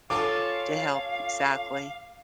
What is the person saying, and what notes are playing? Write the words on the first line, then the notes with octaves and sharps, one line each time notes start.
to help Exactly.
C#4 F4 A4 F5 D6